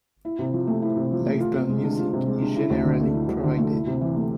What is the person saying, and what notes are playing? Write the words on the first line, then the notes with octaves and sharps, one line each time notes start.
Live band music is generally provided.
E4
C3
F3
A3
E4
C3
F3
A3
F4
C3
G#3
D4
F4
C3
G#3
D4
E4
D2
D3
A3
E4
D2
D3
A3
E4
C3
E3
A3